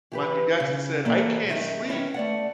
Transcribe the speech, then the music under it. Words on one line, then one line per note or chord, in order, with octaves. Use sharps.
Michael Jackson said, "I can't sleep
E3 G4 B4
C#3 F5
A#2 E3 A#3 A4
F#2 B2 D#3 D#4 E5
D#3 B3 C#4 E4
A3 D5 F#5